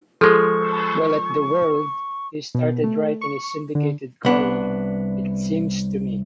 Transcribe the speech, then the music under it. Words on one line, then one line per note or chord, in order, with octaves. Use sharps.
While at the "World," he started writing his syndicated column, "It Seems to Me".
F3 G#3 G#4 A4 C#6
B2
A3
C#6
D3
C2 B3 D4